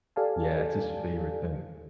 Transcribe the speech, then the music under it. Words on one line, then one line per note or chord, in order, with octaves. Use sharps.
Yeah, it's his favorite thing.
G4 A4 D5 F5 G#5 A5